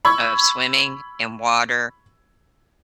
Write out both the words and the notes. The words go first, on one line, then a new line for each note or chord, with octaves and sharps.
of swimming in water
B5 C#6 E6 G#6